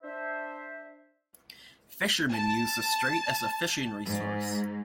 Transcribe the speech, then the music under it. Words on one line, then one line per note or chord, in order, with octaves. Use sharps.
Fishermen use the strait as a fishing resource.
D4 C5 E5
A5
G#2